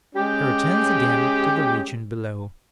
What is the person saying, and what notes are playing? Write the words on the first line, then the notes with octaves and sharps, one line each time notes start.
He returns again to the region below.
G#3 C#4 G4